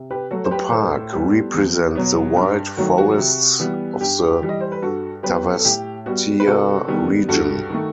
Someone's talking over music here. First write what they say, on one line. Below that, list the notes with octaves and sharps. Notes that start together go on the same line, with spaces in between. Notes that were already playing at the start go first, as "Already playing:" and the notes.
The park represents the wild forests of the Tavastia region.
Already playing: C3
G4 B4
F#3 A3 F#4 A4
C5
G4 B4
A2 A4 C5
G3 B3
E2
B2 F#3 B3
G2
D#3 F#3 A3 F#4
F#4
C3
E3 G3 B3
G2 G4
E3 G3
D#5
C5
B4
G2 F#4 A4
F#3 B3 G4 B4
A4
A2 G4
G3 B3 F#4
B4
C3 F#4 A4
D#3 G3 B3
G2 F#4 A4
D#3 A3